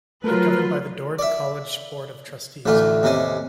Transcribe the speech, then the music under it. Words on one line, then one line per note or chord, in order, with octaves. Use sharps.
It governed by the Dordt College Board of Trustees.
F#3 A3 F4 A#4 B4
D5 E5
A1 D2 A3 F4
D#2 C3 C#4 G#5